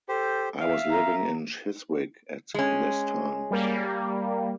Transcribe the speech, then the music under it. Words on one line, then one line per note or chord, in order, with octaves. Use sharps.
I was living in Chiswick at this time.
G4 A4 C5
E5 F5
A#5
G#3 C#4
G3 A#3